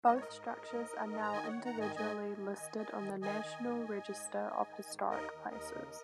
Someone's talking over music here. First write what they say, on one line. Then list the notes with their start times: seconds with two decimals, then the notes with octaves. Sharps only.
Both structures are now individually listed on the National Register of Historic Places.
0.07 G#2 D#5
0.15 C#5
0.21 A#4 D#5
0.29 G#2
0.49 G#2
0.70 G#2
0.91 G#2
1.12 D#3
1.22 A#5
1.33 D#3 D#5 G#5
1.44 D#5
1.48 C#5 F#5
1.54 D#3
1.65 F#5 A#5
1.75 G#2
1.80 D#5 G#5
1.96 G#2 D#5 G#5
2.17 G#2
2.38 D#3
2.59 D#3
2.80 D#3
3.01 D#3
3.21 D#3 D#5 G#5
3.43 D#3
3.63 G#2
3.85 G#2
4.05 G#2
4.27 D#3
4.48 G#2
4.68 D#3
4.90 G#2
5.10 D#2 A#4 D#5
5.31 D#2
5.53 D#2
5.74 C#3